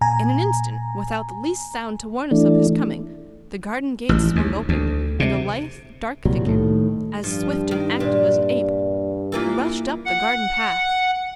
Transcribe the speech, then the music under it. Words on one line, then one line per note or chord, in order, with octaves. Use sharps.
In an instant, without the least sound to warn us of his coming, the garden gate swung open, and a lithe, dark figure, as swift and active as an ape, rushed up the garden path.
A#2 G#5 A#5
E3 A3 D4
A1
D#2
D2
C3
C2 A#2 F#3 G3
A2 D#3 A3
G2 F3
D#3
A#2 D4 B4
E3 A#3 F4
F#5